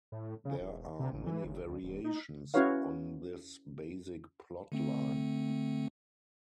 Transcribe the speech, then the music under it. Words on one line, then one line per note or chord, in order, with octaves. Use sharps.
There are many variations on this basic plotline.
A2
C#3
E1
C3
A1
E3
G1
D2
D#1
D#4
C#4 E4 F#4 B4 C#5 F5
D3 A3 C4